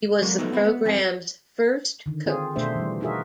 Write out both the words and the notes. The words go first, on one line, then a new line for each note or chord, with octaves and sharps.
He was the program's first coach.
F#3 G#3 A#3 C#4
F3 F#3 A3 B3 D#4
B3 C4 E4
B3
F2 C4 G#4
D3 D#3
C4 F4 G#4
B2 A3 D4 C5 E5
E3 G3
D#4 F4 F#4 G#4 A#4 E5